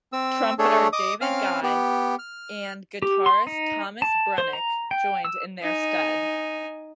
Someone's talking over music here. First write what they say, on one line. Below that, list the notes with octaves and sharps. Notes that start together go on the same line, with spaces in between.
Trumpeter David Guy and guitarist Thomas Brenneck joined in their stead.
C4 E6
A3 D4 G#4 A4 C#5
D#5 D6 D#6
C4 C#4 F5 F6
B3 G4
F6
G4
C6
D#4
A5
C5
A#5
G5
E6
D#4 G#5